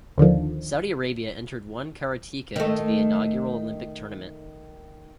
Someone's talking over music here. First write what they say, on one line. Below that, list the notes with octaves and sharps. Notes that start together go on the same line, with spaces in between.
Saudi Arabia entered one karateka into the inaugural Olympic tournament.
D#2 D3 D#3 F3
D#3 A3